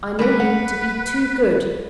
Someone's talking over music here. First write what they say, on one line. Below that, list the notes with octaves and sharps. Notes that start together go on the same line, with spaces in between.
I know you to be too good.
G3 C#4 A#4 B4
F#5